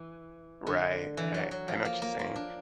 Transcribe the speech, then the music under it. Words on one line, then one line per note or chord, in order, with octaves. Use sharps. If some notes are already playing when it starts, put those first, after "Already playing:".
Right, right, I know what you're saying.
Already playing: E3
D3
E3
F#3
F#3
F3
A#3
A#3
A#3
D4